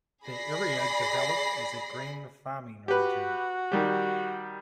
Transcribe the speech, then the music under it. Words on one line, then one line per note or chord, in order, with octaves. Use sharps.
The area developed as a grain farming region.
G#4 D5 B5 A#6 C7
F#4 G4 B4
D#3 G3 G4